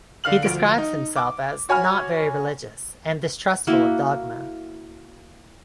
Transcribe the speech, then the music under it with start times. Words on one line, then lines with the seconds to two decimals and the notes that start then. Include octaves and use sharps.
He describes himself as not very religious and distrustful of dogma.
0.24 D3 F5 F6 F#7
0.43 D2 F3 D7
0.78 D#4
1.16 D6
1.69 F#4 C#5 G#5 B5 F6
3.67 A#3 E4 F#4 A#4